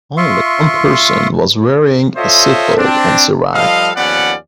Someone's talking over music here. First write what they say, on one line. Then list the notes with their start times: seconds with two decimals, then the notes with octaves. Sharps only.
Only one person was wearing a seatbelt and survived.
0.17 F4 E5 C6 C#6
2.17 F4 A4 C5 C#5 D#5 E5
2.76 C4 D4
3.53 F3 G3 A4 D#5 F5
3.95 D#2 F3 B3 C#4 D5 F#5